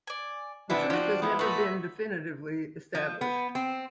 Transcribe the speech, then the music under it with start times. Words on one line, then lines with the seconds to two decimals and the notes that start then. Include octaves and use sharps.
The truth has never been definitively established.
0.07 D5 G#5
0.70 C3 E3 B3 D4 E5
0.90 F3 F#4 G4
1.22 E3 F3 B3
1.39 A#2 A3 B3 B4 E5
2.95 F3
3.21 B3
3.55 C4